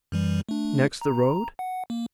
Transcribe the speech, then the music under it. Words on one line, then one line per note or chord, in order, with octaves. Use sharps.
"Next the road?"
F#2 E3 G3
A3 D4
A#5
F#5
A#3